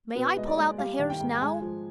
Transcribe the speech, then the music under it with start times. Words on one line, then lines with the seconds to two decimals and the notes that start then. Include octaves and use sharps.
"May I pull out the hairs now?"
0.15 B2 B4
0.37 G#3 D#5
0.47 D5
0.57 G#3
0.78 G3 F5
0.99 D#3
1.10 G5
1.20 G#2
1.41 G#3 G#5
1.62 F3